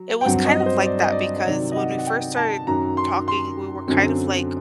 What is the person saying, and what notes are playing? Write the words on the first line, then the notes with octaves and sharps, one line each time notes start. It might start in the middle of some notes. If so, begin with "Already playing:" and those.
it was kind of like that because when we first started talking, we were kind of, like,
Already playing: F#3
G5
G2 F#3 C4 F#5
D#5
C5
D5
D#5
D5
D#5
C3 D#3 F#3 C4 D5
D#5
F#5
F#5
G5
A5
F#2 D#3 F#3 A#5
C6
C6
F#2 D3 F#3 C4